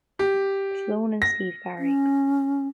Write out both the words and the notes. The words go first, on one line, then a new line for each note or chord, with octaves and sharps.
Sloan and Steve Barri.
G4
A#6
C#4